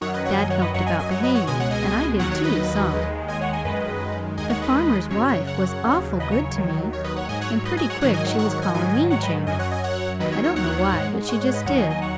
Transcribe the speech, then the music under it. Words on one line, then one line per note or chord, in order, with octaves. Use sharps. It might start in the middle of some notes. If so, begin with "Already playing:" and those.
Dad helped about the hayin'--and I did, too, some. The farmer's wife was awful good to me, and pretty quick she was callin' me 'Jamie.' I don't know why, but she just did.
F#2 D#3 F#3 C#5 F#5
B4 D#5
C#5 F#5
D#5 G#5
C#5 F#5
B4 D#5
F#2 F#3 C#5 F#5
D#5 G#5
D#5 G#5
C#5 F#5
B4 D#5
C#5 F#5
C#2 B2 G#3 D#5 G#5
C#5 F#5
D#5 G#5
D#2 D#3 F#3 C#5 F#5
C#5 F#5
B4 D#5
D#2 D#3 G#3
D#5 G#5
C#5 F#5
D#5 G#5
F#2 D#3 G#3 B4 D#5
D#2 D#3 G#3 D#5 G#5
C#5 F#5
B4 D#5
F#2 C#3 F#3 C#5
C#5
C#5 F#5
D#2 C#3 F#3
B4 D#5
C#5
C#5
D#2 D#3 F#3
C#5
B4 D#5
C#5 F#5
G#2 F#3 D#5 G#5
C#5 F#5
C#5
B4 D#5
D#5 G#5
C#5 F#5
G#2 D#3 F#3 C#5 F#5
D#5 G#5
C#5 F#5
C#5 F#5
C#5 F#5
D#5 G#5
G#2 D#3 F#3 D#5 G#5
C#5 F#5
B4 D#5
F#2 F#3 D#5 G#5
C#5 F#5
D#5 G#5
C#5 F#5
D#2 D#3 F#3 B4 D#5
C#5
C#5
C#5 F#5
G#2 G#3
C#5 F#5
C#5 F#5
B4 D#5
D#2 D#3 F#3 C#5 F#5
D#5 G#5
D#5 G#5
C#5 F#5